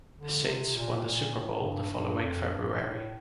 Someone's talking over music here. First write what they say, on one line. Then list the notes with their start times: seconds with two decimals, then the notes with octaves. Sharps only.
The Saints won the Super Bowl the following February.
0.16 D3
0.45 C3
0.76 A#2
0.96 A2
1.05 A#2
1.34 A2
1.64 G2
1.93 G2
2.23 F2
2.51 G2
2.81 A2